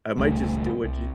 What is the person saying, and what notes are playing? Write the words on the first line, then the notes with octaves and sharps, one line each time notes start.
I might just do it j
D#1 C#2 G3 A3
C2